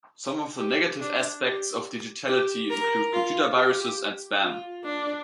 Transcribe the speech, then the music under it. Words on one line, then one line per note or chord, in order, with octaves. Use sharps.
Some of the negative aspects of digitality include computer viruses and spam.
G4
D4
G4
G4
A#4
F4
G4
F4
D4